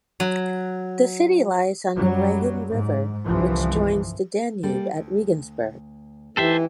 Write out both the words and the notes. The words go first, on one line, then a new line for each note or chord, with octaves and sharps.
The city lies on the Regen River, which joins the Danube at Regensburg.
F#3
F#2 F#3 G3
G#2
G1 C2 E3 F3
G3 A#3 A4
D2
E3 D#4 G4 A4 C5 E5